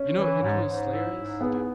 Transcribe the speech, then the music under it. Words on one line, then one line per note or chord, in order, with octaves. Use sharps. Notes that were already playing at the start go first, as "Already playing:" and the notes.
You know you know who Slayr is?
Already playing: C#4
E3
G#2
G#2
E4
G#2
B3 G#4